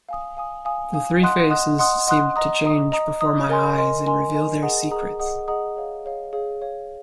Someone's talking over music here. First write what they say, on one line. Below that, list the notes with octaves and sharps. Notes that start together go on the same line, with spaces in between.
The three faces seemed to change before my eyes and reveal their secrets.
F5 G#5 D#6
F5 G#5 D#6
F5 G#5 D#6
F5 G#5 D#6
D#5 F#5 C6 D#6 F#6
D#5 F#5 C6 D#6 F#6
D#5 F#5 C6 D#6 F#6
D#5 F#5 C6 D#6 F#6
D#5 A#5 D#6
D#5 A#5 D#6
D#5 A#5 D#6
D#5 A#5 D#6
A#4 D#5 G#5 C6
A#4 D#5 G#5 C6
A#4 D#5 G#5 C6
A#4 D#5 G#5 C6
G#4 D#5 F#5 A#5 D#6
G#4 D#5 F#5 A#5 D#6
G#4 D#5 F#5 A#5 D#6
G#4 D#5 F#5 A#5 D#6
G#4 C#5 F5
G#4 C#5 F5
G#4 C#5 F5
G#4 C#5 F5